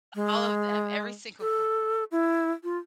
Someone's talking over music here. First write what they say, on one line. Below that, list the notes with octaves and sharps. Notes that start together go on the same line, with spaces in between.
All of them, every single one,
G#3
A4
E4
F4